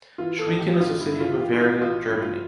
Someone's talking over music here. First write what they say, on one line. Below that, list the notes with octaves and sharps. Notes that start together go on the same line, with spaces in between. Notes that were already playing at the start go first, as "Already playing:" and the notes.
Schweigen is a city in Bavaria, Germany.
E3 F4
A4
A1
G4
A1
F4
G2 E4
E4
F4
E3
G4
F4
A1 E4
F4
A1 F4
G2 E4
F4